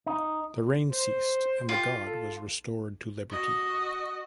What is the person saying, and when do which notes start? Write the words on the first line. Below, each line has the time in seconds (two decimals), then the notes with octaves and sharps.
The rain ceased and the god was restored to liberty.
0.06 D#4
0.91 C5
1.69 F4 G4
2.06 A4
3.31 F#4 D#5